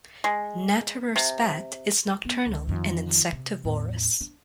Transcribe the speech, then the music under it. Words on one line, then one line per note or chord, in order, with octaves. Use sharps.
Natterer's bat is nocturnal and insectivorous.
G#3
C3
B3
C#2
F2 D#3
C3
E2 A2
D4